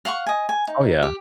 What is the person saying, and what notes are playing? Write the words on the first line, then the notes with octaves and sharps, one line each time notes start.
Oh yeah.
F5 F#5 C6 C#6
D#5 G#5
G#5
D#4
G4